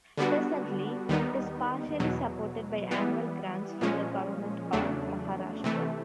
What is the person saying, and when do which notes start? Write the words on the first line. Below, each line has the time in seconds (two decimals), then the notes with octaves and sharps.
Presently, it is partially supported by annual grants from the Government of Maharashtra.
0.17 D3 G3 B3 D4 F#4
1.09 D#2 D#3 G3 B3 D#4
2.00 E2 B2 F#3
2.91 E3 G3 B3
3.81 A#2 F3 G#3 C#4
4.73 E2 C#3 F#3 A3 D4
5.64 C3 E3 A3